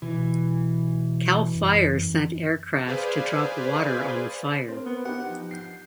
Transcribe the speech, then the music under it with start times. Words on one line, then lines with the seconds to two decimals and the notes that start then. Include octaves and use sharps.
Cal Fire sent aircraft to drop water on the fire.
0.02 B2 E3
1.55 F#2
2.86 G#4 B4 C5 D5 F5 G#5
4.68 C4 A#4
4.86 B3
5.05 D#4 G4 F#5
5.30 F3
5.51 G6 C7